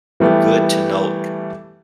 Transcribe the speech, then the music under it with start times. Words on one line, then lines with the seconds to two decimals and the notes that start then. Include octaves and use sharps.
good to note,
0.20 E3 G3 A3 B3